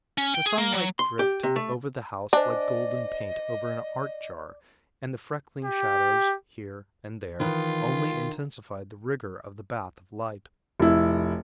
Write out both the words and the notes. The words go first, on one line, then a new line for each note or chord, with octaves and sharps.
The sunlight dripped over the house like golden paint over an art jar, and the freckling shadows here and there only intensified the rigor of the bath of light.
C#4
G5
G#4
A#3
F#3
C6
G4
C3
A3
D4 C5 D5 D#5 G#5
G4
D#3 E3 F4 B4
F1 E4